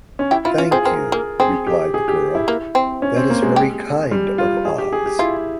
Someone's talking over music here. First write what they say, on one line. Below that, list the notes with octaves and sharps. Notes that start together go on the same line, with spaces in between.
"Thank you," replied the girl; "that is very kind of Oz."
C#4
E4 G4
E4 F4
C#4 F4
C4 G#4
C4 A#4
A#3 G#4
C4 G#4
G4
G#4
G4
E4
A#3
C4
C#4
C4
A#3
G#3
G4
G3
F4
G#4
G4
G#4
G4
E4 F4